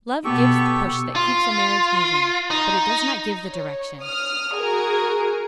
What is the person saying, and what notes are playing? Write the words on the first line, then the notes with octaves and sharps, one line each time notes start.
Love gives the push that keeps a marriage moving, but it does not give the direction.
B2 B3 G4 A4 C#6
F4
D#4
C#5
D#6 F6
F#4 G#4 A#4